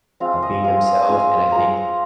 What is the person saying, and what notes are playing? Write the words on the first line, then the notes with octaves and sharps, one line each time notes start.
uh, being themselves, and I think
G#3 C4 F4 F5
D#5
G#3 C4 F4 F5
F5
G#3 C4 F4 G#5
G#3 C4 F4 A#5